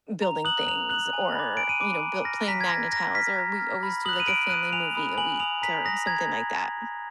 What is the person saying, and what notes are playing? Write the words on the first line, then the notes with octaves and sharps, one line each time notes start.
building things or, you know, built playing MAGNA-TILES, or we always do, like, a family movie a week or something like that.
A#5 F7
D#6 F#6 F#7
A#5 F7
D#6 F#6 F#7
G#5
B5 D6
G#5 D7
D#7
B5 D6 D7
A#5
F6 A#6
A#5 B6
G#6
F6 A#6
A#5 A#6
F6 B6
A#5
F6
B5
D#6 F#6 F7 F#7
D#7
B5 D7
D#6 F#6 D#7
G#5 F7
B5 D#6
G#5 F#7
B5 D#6 F7
A#5 B6
D#6 F#6 A#6
A#5 G#6